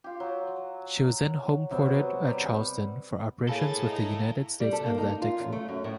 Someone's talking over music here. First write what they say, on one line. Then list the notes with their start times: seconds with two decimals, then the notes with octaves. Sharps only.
She was then home-ported at Charleston for operations with the United States Atlantic Fleet.
0.04 F4 G4
0.20 F#3
1.71 C3 F#3 B3
1.88 F#4
2.27 G3
3.49 A#3 E4 G#4 A4 C#5 F5 B5 A6
3.85 D#4 D#5 A#5
4.60 G3
4.73 A4
4.86 A#3
4.98 D#4
5.22 F4
5.40 F#2
5.52 A3
5.68 F#2
5.84 A2